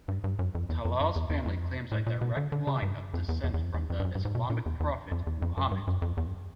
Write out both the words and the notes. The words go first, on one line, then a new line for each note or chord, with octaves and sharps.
Talal's family claims a direct line of descent from the Islamic prophet Muhammad.
G2
G2
F#2
F2
E2
F2
F#2
E2
E2
F2
A2
A#2
B2
D3
D3
C#3
G2
F2
E2
E2
E2
F2
E2
F2
G2
F#2
G2
G#2
B2
A#2
E2
E2
F2
E2
F2
F#2
G2
F#2
F2
E2
F#2